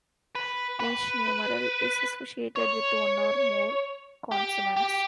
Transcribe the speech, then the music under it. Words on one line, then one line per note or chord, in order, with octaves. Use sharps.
Each numeral is associated with one or more consonants.
B4
B4
C#5
G4
G4